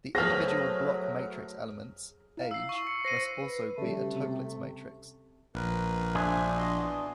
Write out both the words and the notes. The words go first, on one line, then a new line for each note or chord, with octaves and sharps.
The individual block matrix elements, Aij, must also be a Toeplitz matrix.
F#3 A3 G#4 B4 C5 F6 A#6
E4 F5
E6 C7
C#6
C#7
C5 A#6 C7 D#7
B4
C#3 G3 A3
C3
A#1 A#4 B4
D4 G#4 C5 E5 G#5
F#4 D#5 C6
E3 B3